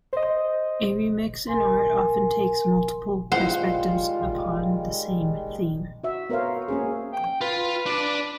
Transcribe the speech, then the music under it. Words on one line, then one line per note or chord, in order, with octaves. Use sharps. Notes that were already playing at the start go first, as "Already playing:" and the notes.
A remix in art often takes multiple perspectives upon the same theme.
C5 D#5
A#4 G#5 C6
D#3 G3 G#3 F4 C5 F#5
F#4 E5
B3 A#4 C5 C#5 F5
A#3 C#4 G#4
G5
F4 B4
D4 D5